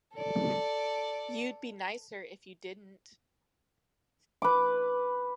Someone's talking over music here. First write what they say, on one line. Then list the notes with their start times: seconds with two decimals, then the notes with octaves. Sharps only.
You'd be nicer if you didn't.
0.14 A4 D5
4.42 B4 D6